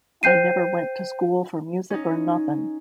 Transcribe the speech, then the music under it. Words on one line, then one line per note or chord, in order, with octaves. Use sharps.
I never went to school for music or nothin'.
C5 G5 G6 C7 D#7
C#4 D#4